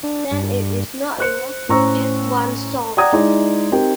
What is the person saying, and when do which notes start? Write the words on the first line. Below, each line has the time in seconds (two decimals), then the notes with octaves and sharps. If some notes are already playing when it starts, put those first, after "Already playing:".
Then it is not enough with just one song.
0.03 D4
0.32 G2
1.18 C5 F#6 C#7
1.69 A2 C#4 C5 A#5 C#6 E6
2.97 D5 F#5 G5 A#5 D#6 G#6
3.13 G#3 D#4 E4 D5
3.72 C4 D#4 G4 A#4 G5